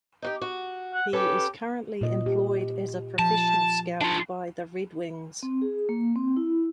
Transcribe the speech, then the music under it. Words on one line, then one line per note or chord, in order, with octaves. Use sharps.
He is currently employed as a professional scout by the Red Wings.
D#4 F#4 G4
F#4
F#5
C#4 G4 A4 B4
A#2 F4 D#5
G4
F3 A5
D4 D#4 F4
C4
G#4
A#3
C4
E4